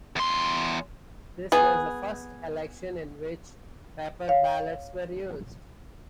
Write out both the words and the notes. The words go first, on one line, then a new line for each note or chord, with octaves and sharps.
This was the first election in which paper ballots were used.
E2 C6
B3 G#4
C#5 F5